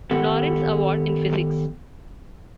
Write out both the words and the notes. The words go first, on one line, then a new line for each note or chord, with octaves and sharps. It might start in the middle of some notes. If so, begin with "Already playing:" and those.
Lawrence Award in physics.
D#3 B3 G4 A4 F#5